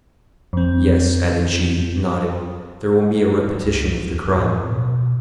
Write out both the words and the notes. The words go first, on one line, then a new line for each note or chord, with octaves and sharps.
Yes," added she, nodding, "there will be a repetition of the crime.
F2 C4
C#2
D#2
A2
B2